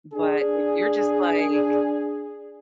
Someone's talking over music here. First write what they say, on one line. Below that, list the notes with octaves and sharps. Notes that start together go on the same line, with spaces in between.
But if you're just like,
D4 G#4